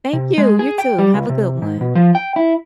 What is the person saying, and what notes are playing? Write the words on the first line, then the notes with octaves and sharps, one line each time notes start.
Thank you! You too. Have a good one.
C3
G#3
G#4
G5
G3
C#2
C3
G#2
B2
F3
G5
E4